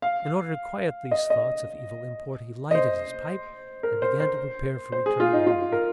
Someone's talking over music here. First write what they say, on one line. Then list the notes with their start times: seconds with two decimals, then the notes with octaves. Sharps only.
In order to quiet these thoughts of evil import, he lighted his pipe and began to prepare for returning home.
0.02 F5
1.11 D#5
1.30 D#5
2.71 D#5
2.75 C5
3.83 A#4
4.02 C5
4.20 C5
4.92 C5
5.06 G#4
5.20 F4
5.33 D#4
5.47 F4
5.72 A#4